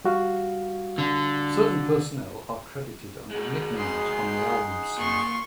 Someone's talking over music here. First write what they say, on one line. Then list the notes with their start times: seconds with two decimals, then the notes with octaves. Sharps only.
Certain personnel are credited under nicknames on the album sleeve.
0.05 G3 F#4 F5
0.98 D3
3.31 G#3 F#4
3.79 D#4 G#4 F#5 C6
4.98 A#2 C6 C#6